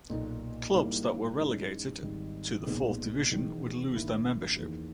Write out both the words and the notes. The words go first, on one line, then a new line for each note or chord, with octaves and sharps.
Clubs that were relegated to the fourth division would lose their membership.
B1 A#2 A#3 D#4
G#2 E3 G3 A#3 E4
G#2 E3 G#3 C#4
G#1 G#2 G3
B1 A#2 G#3 B3 D#4
E1 E2 D#3
G#1 G2 D#3 A#3 E4
E2 D#3 A#3